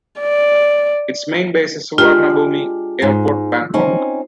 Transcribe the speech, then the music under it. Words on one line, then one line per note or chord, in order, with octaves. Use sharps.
Its main base is Suvarnabhumi Airport, Bangkok.
D5
G#3 D4 F4 G4
G#2
C4 C#4 D#4